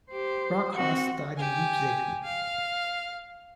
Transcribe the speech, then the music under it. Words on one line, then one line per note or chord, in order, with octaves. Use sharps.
Brockhaus died in Leipzig.
G4 C5
C4 F#4 F#5
G4 G#5
F5